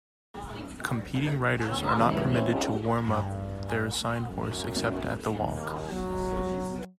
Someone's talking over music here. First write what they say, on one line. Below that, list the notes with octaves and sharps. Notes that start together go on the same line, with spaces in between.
Competing riders are not permitted to warm-up their assigned horse except at the walk.
D2 B3 C#5
E2 A#2 C#3 E3 F3
C#2 G#2 C3 E3 F#3 A3
E3 C4 C#4 E4 C5 C#5
G#3 C4 C#4 D#4 F4 A4
G2
F#2
D#2
F#3